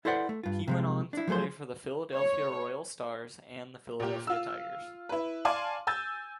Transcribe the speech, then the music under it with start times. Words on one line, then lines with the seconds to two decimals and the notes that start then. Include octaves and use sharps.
He went on to play for the Philadelphia Royal Stars and the Philadelphia Tigers.
0.05 E4 A4 B4 C5 D5 F#5
0.29 A3
0.43 G2 F4
0.67 C3 F3 G#3
1.13 D4 E4
1.28 F3 F#3 A3 G#4 C5
2.14 C#5
4.00 A#2 G4
4.27 F4 E6
5.09 E4 B4
5.45 D5 F5 G#5 A5 C6 D6
5.87 G#5 E6 G6 A6